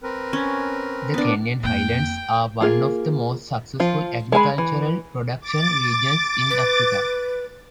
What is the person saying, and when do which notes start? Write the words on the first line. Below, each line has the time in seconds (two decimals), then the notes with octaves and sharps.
The Kenyan Highlands are one of the most successful agricultural production regions in Africa.
0.03 C4 A#4 B4
0.33 C#4
1.14 B3 D4
1.64 F2 A#3 G5 F#6
2.61 A#3 F4 G#4
3.80 F3 F4
4.32 G#3 G#4 G#5 B5
4.58 E3
5.41 D6 A6
6.50 B4